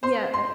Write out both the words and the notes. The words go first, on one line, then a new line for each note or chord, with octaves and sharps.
Yeah, but
C5 C6
C6